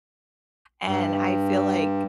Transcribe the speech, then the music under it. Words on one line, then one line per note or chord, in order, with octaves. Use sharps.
and I feel like
G2